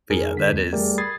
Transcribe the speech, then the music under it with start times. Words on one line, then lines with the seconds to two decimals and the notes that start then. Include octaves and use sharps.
but, yeah, that is
0.10 F2 D#4 G#4 A#4
0.37 D3 B6
0.52 E2
0.73 G3 A3 G4 G#4 A#4 D5
0.98 B5 D#6 G#6 A6 C7